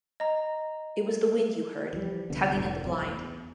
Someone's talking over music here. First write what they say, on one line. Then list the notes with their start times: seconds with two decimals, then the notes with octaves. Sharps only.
It was the wind you heard, tugging at the blind.
0.20 D#5 A#5
1.93 E3 F3 G3
2.30 C2 D3 B3
2.54 F1 A2 D4
2.83 F#1 C2 F2
2.99 E2